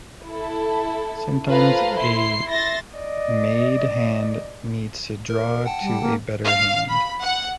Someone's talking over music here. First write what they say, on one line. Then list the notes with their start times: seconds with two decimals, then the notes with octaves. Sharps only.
Sometimes a made hand needs to draw to a better hand.
0.24 E4 A4
1.48 F4 A4 B4 C5 F5 A#5
1.97 E4 C6 C7
2.50 E5 C6 A6 A#6
2.95 D5 D#5
5.30 A#4
5.66 F#5 G5 A5
5.81 G3
6.02 A#3
6.45 F5
6.89 B5
7.23 F#5